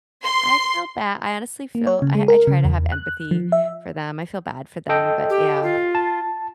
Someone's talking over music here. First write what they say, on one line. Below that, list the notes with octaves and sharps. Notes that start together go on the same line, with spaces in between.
I feel ba I honestly feel I I try to have empathy for them, I feel bad for them, but, yeah,
C6
A#3
C#5
C#3
G#3
A#4
C#3
E2
F#6
F3
E5
A4 D#5 G5
G4
F4
A5